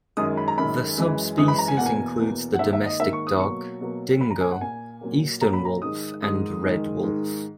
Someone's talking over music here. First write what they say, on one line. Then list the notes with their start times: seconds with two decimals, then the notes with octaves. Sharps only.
The subspecies includes the domestic dog, dingo, eastern wolf and red wolf.
0.17 F#2 D#3 G#3 D#6
0.37 B5
0.48 A#5
0.58 F#2 D#3 G#3 B5
0.98 F#2 E3 G#3
1.38 F#2 E3 G#3 D#6
1.48 B5
1.58 A#5
1.68 G#5
1.77 E2 B2 A#3 F#5
1.86 G#5
2.19 E2 B2 A#3
2.53 F#5
2.59 G#2 D#3 A#3 E5
2.73 E5
2.86 D#5
3.00 G#2 D#3 A#3 E5
3.13 C#6
3.27 D#6
3.40 B2 F#3 A#3 C#6
3.80 B2 F#3 A#3
4.20 A#2 A#3 B5
4.31 A#5
4.41 G#5
4.51 F#5
4.61 A#2 A#3 G#5
5.01 A#2 F#3 A#3
5.41 A#2 F#3 A#3 A#5
5.53 B5
5.65 A#5
5.82 G#2 D#3 G#3 D#6
6.22 G#2 D#3 G#3 D#6
6.63 G#2 D#3 G#3
7.03 G#2 D#3 G#3